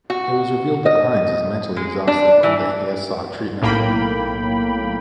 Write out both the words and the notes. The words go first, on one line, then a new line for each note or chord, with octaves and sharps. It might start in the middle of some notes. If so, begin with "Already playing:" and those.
It was revealed that Hinds is "mentally exhausted" and that he has sought treatment.
F#4
D#5
G#3
D4
E3
B1 A2 A#3 G5 B5